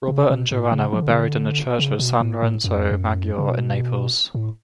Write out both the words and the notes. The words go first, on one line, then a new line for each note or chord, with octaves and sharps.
Robert and Joanna were buried in the church of San Lorenzo Maggiore in Naples.
C#3
B2
A2
C#3
F3
D3
C#3
D3
C#3
B2
A2
A2
F#2
F2
F#2
C#3
B2
A2